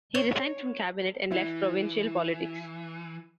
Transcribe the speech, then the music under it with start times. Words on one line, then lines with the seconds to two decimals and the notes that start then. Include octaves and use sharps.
He resigned from cabinet, and left provincial politics.
0.15 C#5
1.32 E3 E4